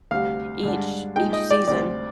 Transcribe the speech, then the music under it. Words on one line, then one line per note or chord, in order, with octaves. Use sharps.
each each season,
D2 C3 G3 F5
G2 D3 G#3 D4
A#2 G#3 D#4 G5
D#5
D5
D2 C3 G3 C4 D5